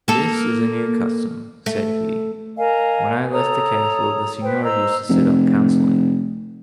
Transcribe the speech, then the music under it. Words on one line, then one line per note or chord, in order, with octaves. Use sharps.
'This is a new custom,' said he; 'when I left the castle, the Signors used to sit up counselling.'
A#3 A4
A3
A#4 D#5 F5 G#5
A4 C#5 A#5 D#6
B4 C5 G5
C5 D#5 A#5 E6
F1